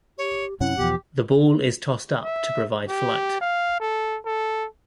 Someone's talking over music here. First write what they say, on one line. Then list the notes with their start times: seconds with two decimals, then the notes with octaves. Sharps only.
The ball is tossed up to provide flight.
0.18 G4 C#5
0.60 F#2 C3 C#4 E4 F#5
0.78 E2 B2 F3 G4
2.23 E5
2.89 G4
3.41 F5
3.80 A4
4.26 A4